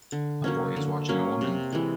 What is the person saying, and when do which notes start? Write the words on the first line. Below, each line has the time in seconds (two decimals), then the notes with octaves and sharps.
A boy is watching a woman.
0.12 D3
0.44 F#3 A#3 C#4
0.76 D3
1.09 F#3 A#3 C#4
1.41 C3
1.73 E3 G#3